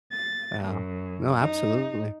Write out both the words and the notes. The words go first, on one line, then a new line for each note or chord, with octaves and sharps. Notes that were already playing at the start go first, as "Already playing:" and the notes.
Yeah. No, absolutely.
A6
F#2
D#4